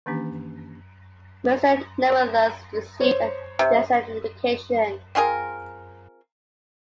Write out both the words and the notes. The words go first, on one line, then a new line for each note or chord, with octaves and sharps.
Mercier nevertheless received a decent education.
D#3 E3 A#3 C#4 D4 G4
C5 C#5
C3
C4 F4 G#4 A#4